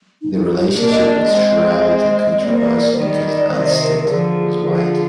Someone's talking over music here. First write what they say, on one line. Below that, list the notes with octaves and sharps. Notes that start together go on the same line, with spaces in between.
The relationship was shrouded in controversy because Anstett was white.
D#4
D#4
G4
F4
G4
A#3 D4 A#4
D#5
D5
D#5
G#3 C4
G3 A#3 D5
C5
D5
A#4
C5
D#3 G3 D5
C5
C3 D#3 D5
C5
A#4
A#4
D3 F3 G#4
D3 F3